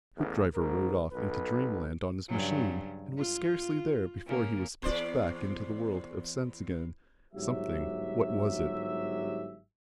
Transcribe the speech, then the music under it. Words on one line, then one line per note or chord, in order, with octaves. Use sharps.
Hoopdriver rode off into Dreamland on his machine, and was scarcely there before he was pitched back into the world of sense again.--Something--what was it?
A1 E2
G#1 G#2 A#4
B1 A4 B4
G2 C#3 F#3
F4
C#3 A#3
E2 C5 D5
G1 G#2 F#3 G4 E5